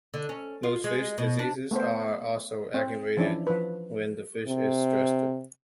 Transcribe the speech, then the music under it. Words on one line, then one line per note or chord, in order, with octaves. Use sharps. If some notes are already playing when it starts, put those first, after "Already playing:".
Most fish diseases are also aggravated when the fish is stressed.
D3
C#4
F4
G#3
B2
D4
A3 B3 A4 C5
C4
E3 F3 C#4 D4 E4
F3 B4
C3